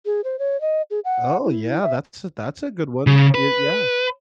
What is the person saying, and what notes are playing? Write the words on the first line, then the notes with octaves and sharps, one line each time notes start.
Oh yeah, that's a that's a good one, eh Yeah,
G#4
C5
C#5
D#5
G#4
F#5
E4
E5
C#3
B4